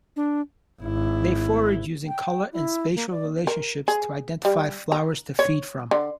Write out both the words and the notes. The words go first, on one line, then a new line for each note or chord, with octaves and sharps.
They forage using colour and spatial relationships to identify flowers to feed from.
D4
G#1 E4
G5
E4
A#3
D5
A#4
G#4
G3
A#5
C#5
D3